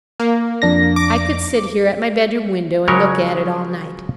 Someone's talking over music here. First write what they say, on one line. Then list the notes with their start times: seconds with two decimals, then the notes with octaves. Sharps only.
I could sit here at my bedroom window and look at it all night.
0.20 A#3
0.62 F2 D4 A#6
0.96 D6
2.88 C#3 F#3 G#3 C#4 A#4 C#5